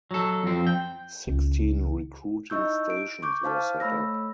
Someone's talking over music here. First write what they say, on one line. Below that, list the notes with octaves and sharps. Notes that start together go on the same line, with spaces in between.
Sixteen recruiting stations were set up.
F#3 A4
F2 C4
G5
C#2
D#4 E4 D#5 C#6 E6 G6
D7
C#6 D6 G6
E4 C5 F5 A5 F6
A3 C#5 B5 E6 A#6